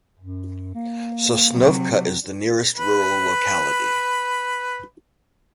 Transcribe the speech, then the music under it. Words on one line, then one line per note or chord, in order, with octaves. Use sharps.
Sosnovka is the nearest rural locality.
F#2
A#3
C3 F#3
B4 B5